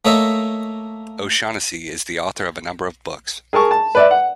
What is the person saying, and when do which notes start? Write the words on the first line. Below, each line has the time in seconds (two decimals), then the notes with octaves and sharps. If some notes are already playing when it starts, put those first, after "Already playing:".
O'Shaughnessy is the author of a number of books.
0.05 A3 A#3 C#5 D#5 E5
3.53 G#4 A#4 A5 C#6
3.71 A5
3.95 B4 D5 E5
4.11 F#5